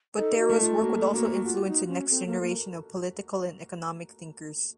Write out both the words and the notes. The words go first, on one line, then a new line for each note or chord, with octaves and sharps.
Botero's work would also influence the next generation of political and economic thinkers.
D#4 A4
F#4
A3
F4
A#3 F#4
A4
A#3 F#4
F#4
F4 F#4
D#4
C#4
C4 A4
A#3 A4
A#3 A#4